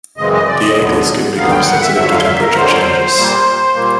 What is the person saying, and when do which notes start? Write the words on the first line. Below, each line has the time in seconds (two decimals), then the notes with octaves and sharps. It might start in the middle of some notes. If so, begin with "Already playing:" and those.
The ankle skin becomes sensitive to temperature changes.
0.17 F#2 C#3 E3 G#3 C4 D#5
0.33 D#5
0.48 D5
0.62 D#5
0.77 D#2 D3 F#3 B3
1.37 D#2 D3 F#3 B3 F5
1.51 G5
1.67 F#5
1.82 E5
1.96 F2 D3 F#3 E5
2.11 F5
2.26 E5
2.41 A#4
2.56 F2 D3 F#3 C5
3.15 A#2 G3 A#3
3.75 A#2 G3 A#3